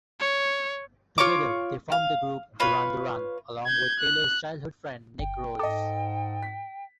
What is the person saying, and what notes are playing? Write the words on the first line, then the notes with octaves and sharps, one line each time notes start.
Together they formed the group Duran Duran, along with Taylor's childhood friend, Nick Rhodes.
C#5
F4 C#5 C#6 D6
F5
F4 B4 C#5
G6 G#6
F#6
G1 G5
G#2 A4 D#5 A5 D6
B6